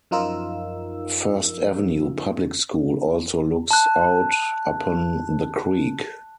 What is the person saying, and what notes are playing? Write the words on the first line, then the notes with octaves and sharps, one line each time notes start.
First Avenue Public School also looks out upon the creek.
F#2 F3 D#4 F4 A#4 E6
A5 F#6